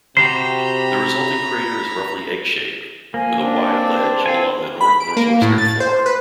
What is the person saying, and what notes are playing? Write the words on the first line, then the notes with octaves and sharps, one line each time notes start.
The resulting crater is roughly egg-shaped, with a wide ledge along the north-northwestern floor.
C3 F#4 G4 C5 A#5 B5 C7
F3 A#3 G#5
C4 D4
C4 F4 A4 F5 G#5
B5
D7
A#3
A2
A6
C5
B4